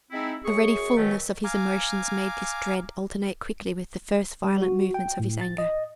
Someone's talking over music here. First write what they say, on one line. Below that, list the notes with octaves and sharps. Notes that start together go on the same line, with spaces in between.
The ready fulness of his emotions made this dread alternate quickly with the first violent movements of his anger.
G#3 C4 D#4 E4
F#2 G#4 C#6
B2 D#3 F#3 A3 C#4
F5 G#5 A#5 D6
G3
F#4
G5
A2
A6
D#5